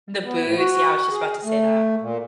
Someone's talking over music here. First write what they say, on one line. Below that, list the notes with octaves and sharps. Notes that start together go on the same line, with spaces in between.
The boots, yeah, I was just about to say that.
B3
A2
F#4
G#4
A3
A#2